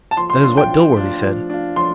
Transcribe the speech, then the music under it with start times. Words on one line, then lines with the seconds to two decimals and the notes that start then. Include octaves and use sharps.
That is what Dilworthy said.
0.11 A5
0.17 F3 C6
0.30 C6
0.43 D4 C6
0.47 F4
0.57 G5
0.70 F3
0.96 D4 F4
1.23 F3
1.50 D4 F4
1.76 F3 C6